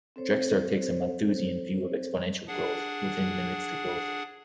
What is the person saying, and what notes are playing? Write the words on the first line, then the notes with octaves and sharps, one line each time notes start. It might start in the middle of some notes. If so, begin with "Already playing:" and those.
Drexler takes a Malthusian view of exponential growth within limits to growth.
C4 A4 C5 C#5
D4 G#4 F#5